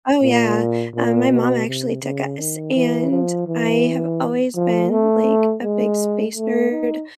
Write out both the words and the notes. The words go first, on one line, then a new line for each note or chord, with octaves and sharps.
Oh, yeah, uh, my mom actually took us, and I have always been, like, a big space nerd.
A#2
A#2
B2
C3
C#3
D#3
E3
F3
E3
F3
A3
G#3
A3
D#4